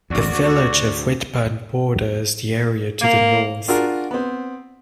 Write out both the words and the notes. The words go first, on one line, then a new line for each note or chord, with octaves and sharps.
The village of Whitburn borders the area to the north.
G#1 D2 F#4 D5
D2
A#3
D4 F4 F#4 G#4 A#4
B3 C4